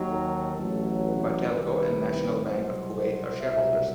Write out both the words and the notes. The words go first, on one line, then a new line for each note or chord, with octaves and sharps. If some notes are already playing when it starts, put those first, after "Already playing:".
Batelco and National Bank of Kuwait are shareholders.
Already playing: D#2 D#3 F#3
A4
A1 A2 F#3
B4
C2 C3 D#3 B4
C2 B2 F#3 C5
C2 B2 F#3 E5